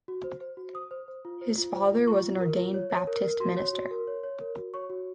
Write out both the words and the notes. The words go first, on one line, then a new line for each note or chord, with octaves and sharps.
His father was an ordained Baptist minister.
F#4
C5
C5
F#4
C5 D#6
C5
C5
F4
C5
F4
C5
F4
F4 C#6
F4
A#4
F4
C#5
C#5
A#4
A#4
F#4 C6
C#5
F#4
A#4
C#5
C#5
A#4
F#4
C#5 C#6
F#4